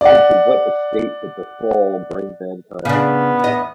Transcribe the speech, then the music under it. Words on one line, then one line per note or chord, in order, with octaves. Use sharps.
Into what estate did the fall bring mankind?
D5 F#5
C#3 B3 D4
E2 D#5